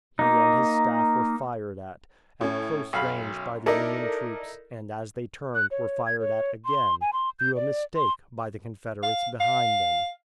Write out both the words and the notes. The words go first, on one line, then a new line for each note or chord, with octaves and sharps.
He and his staff were fired at, at close range, by the Union troops, and, as they turned, were fired at again, through a mistake, by the Confederates behind them.
A#3 D#4
A2 C#4
B1 F#2 F5 B5
D#4 E4 A4 A#4 D5
F#6
C#5
G#6
C#5
C6
G#5
C6
G6
D5
C6
F5
F5